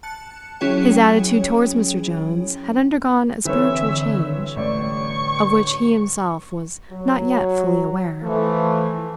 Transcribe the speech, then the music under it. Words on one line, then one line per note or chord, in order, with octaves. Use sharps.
His attitude towards Mr. Jones had undergone a spiritual change, of which he himself was not yet fully aware.
A5 F#6 C#7
F#3 C#4 E4 G#4 C#5 G5
D3 E3 G3 C4 B4 C#5 E5
A1 D5 C#6
F#3
E3 F3 A3